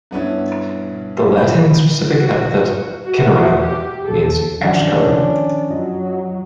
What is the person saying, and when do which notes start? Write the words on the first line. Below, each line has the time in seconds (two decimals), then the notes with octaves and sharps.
The Latin specific epithet "cinerea" means "ash coloured".
0.11 G2 B3 C#4 E4
1.36 G#3 B5 G6
2.12 F#4
3.04 F#4
3.61 G4
4.06 A4
4.61 D#3 F3 C#4 D4
5.69 F#2 F#3 F4 D#5